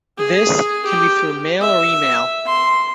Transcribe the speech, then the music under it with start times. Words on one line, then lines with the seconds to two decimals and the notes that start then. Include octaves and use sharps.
This can be through mail or email.
0.17 G#4
0.85 G4
1.61 E5
2.46 C6